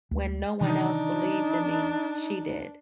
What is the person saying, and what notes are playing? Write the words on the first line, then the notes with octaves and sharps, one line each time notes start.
when no one else believed in me, she did.
D2 G#3
C3 D#3 E3 D4 D#4